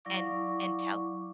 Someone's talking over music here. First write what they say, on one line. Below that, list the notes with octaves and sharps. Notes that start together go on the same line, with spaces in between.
and and tell
F#3 E4 D5 F5 C#6 D6